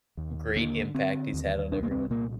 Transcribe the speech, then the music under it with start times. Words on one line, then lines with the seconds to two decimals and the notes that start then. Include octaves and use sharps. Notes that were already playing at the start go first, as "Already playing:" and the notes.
great impact he's had on everyone.
0.17 D#2
0.56 D3 A#3
0.94 D3 C4
1.33 D#2
1.72 C2 D4
1.83 A#3
1.91 C4
2.10 A#2 A#3